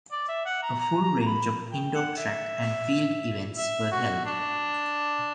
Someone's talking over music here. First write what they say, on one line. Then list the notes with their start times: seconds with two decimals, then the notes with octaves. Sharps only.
A full range of indoor track and field events were held.
0.12 D5
0.28 E5
0.46 F#5
0.62 A#5
0.80 A#5
1.04 A#5
1.20 A#5
1.26 B5
1.73 G5
1.95 F#5
2.18 E5
3.56 E5
3.91 F#4
4.25 D4